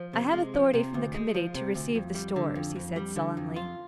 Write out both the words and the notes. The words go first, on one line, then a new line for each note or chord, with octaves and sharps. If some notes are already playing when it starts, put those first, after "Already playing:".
'I have authority from the Committee to receive the stores,' he said sullenly.
Already playing: F3
C3
G#3
F3
C3
D2
G#3
F3
C3
D2
F2
G3
D3
F2
F2
G3
D3
F2
F4